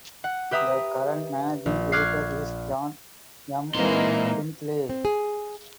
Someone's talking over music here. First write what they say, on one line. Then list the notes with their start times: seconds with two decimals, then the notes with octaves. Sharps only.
The current managing editor is John M. Findlay.
0.24 F#5
0.51 G4 B4 E5 A#5 D#6
1.66 A#1
1.92 C#6 D6 F6 F#6 G#6 C7
3.75 A#2 E3 G#3 A#3 C4 D#4 C6
4.90 C4
5.05 G#4